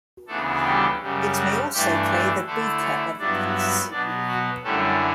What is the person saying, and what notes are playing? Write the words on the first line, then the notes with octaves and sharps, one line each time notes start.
It may also play the buka of a piece.
D2 C#3 E3 A3 B3 D4 A4
G3 G4
F#2 C#3 G3
F#4
G2 E3 G3 A3 D4 G4
G3 G4
D3 A3 E4 A4
C#4 C#5
G2 F#3 B3 D4 E4 D5
E4 E5
B2 F#3 B3 D4 D5
F#4
F#2 D3 G3 A3 C#4 E4 A4